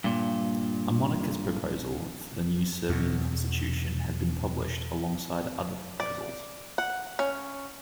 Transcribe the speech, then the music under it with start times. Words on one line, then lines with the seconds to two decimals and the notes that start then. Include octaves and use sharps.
A monarchist proposal for the new Serbian constitution has been published alongside other proposals.
0.04 G2 A#2
2.89 E2 B2
6.00 D5
6.78 F#5
7.19 C#4